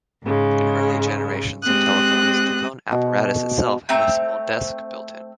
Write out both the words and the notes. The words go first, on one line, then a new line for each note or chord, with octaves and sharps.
In early generations of telephones the phone apparatus itself had a small desk built-in.
G#2 C#3 G#3
G#3 C4 G4 D#6 F#6
B2
A3 C4 A#5